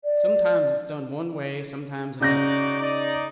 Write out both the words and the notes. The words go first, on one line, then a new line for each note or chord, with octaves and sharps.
Sometimes it's done one way, sometimes another.
D5
C#3 D#4 F#4 D5 G6 A#6
D#4 D5